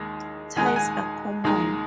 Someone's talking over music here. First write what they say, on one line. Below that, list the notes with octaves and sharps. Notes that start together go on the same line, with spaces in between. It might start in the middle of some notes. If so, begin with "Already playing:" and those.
Ties are common.
Already playing: D#2 D#3 G#3 D#4
D#2 D#3 G#3 D#4 G#5
F#5
G#5
D#2 D#3 G#3 D#4